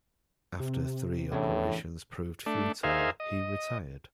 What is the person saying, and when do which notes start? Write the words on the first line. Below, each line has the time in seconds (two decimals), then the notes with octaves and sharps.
After three operations proved futile, he retired.
0.60 C3
1.32 E2 A2 C#3 D4
2.46 A3 D4
2.83 D#4 G#4 A#4 C5 E5 F5
3.20 D#5